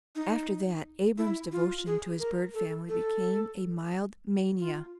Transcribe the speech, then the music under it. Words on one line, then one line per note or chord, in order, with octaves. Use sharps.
After that Abram's devotion to his bird family became a mild mania.
D#4
E4
F4
G#4
A#4
A4
A4
F4